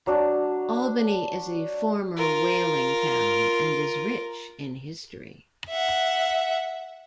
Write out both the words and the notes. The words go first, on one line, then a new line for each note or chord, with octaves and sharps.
Albany is a former whaling town and is rich in history.
F#3 D4
F4 A#4
E5 F#5